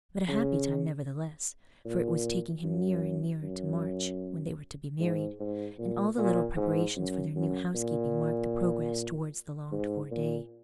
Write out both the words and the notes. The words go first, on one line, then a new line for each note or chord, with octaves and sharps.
But a happy time, nevertheless, for it was taking him nearer and nearer to March, when they were to be married, and all the little preparations for their new housekeeping marked the progress towards the longed-for day.
C#3
A#2
F#2
F#2
G#2
G#2
A#2
A#2
G#2
F#2
F#2
A#2
G#2
A#2